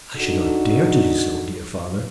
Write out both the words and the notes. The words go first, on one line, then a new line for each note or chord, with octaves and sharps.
"I should not dare to do so, dear father."
D4 D#4 F#4 A4